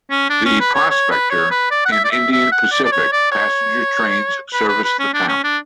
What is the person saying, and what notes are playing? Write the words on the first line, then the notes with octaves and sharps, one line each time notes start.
The "Prospector" and "Indian Pacific" passenger trains service the town.
C#4
D4
C#4
B4
C#5
C#5
B4
C#5
B4
D5
F#5
E5
D5
E5
E5
F#5
D5
D5
C#5
D5
C#5
B4
B4
B4
C#4
D4
C#4
D4